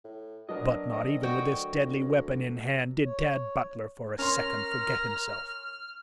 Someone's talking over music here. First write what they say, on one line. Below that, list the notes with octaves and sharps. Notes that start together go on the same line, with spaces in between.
But not even with this deadly weapon in hand did Tad Butler for a second forget himself.
A2
F#3 B3 D4 A#4 D#5
C4 D#5
D2 F#4 G5
C#5
C#4 A#4 A#5 C6 F6